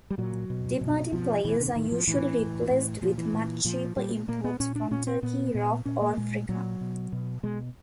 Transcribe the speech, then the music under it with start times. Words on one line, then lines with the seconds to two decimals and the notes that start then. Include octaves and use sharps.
Departing players are usually replaced with much cheaper imports from Turkey, Europe or Africa.
0.10 G3
0.18 A#2 F#3
0.50 B2
0.81 B2
1.13 B2 F3
1.45 B2 E3
1.60 D3
1.76 A2 D#3
1.92 F3
2.07 A2 E3
2.39 A2
2.71 A2
3.02 A#2 F3
3.18 E3
3.33 A#2
3.65 A#2 F3
3.97 A#2 G3
4.28 A#2 A#3
4.44 B3
4.60 A#2 C#4
4.76 D4
4.91 A#2 C#4
5.07 C4
5.23 A#2 B3
5.55 A#2
5.85 A#2 C#4
6.01 A#3
6.17 A#2 G#3
6.49 A#2 F#3
6.81 B2
7.12 B2
7.43 B2 G#3